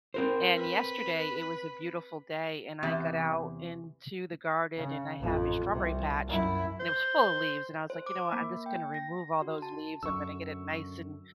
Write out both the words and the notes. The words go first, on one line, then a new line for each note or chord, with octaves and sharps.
and yesterday it was a beautiful day and I got out into the garden and I have a strawberry patch and it was full of leaves and I was like, "You know what I'm just gonna remove all those leaves. I'm going to get it nice and
C4 A#4 C5
B4
E2 C3
C#3
A1 F2
C2 C3
F#2 E4
C5
C5
D6
A#3
G5
A#6
F#4
A5
F#2 D3 C#6 E6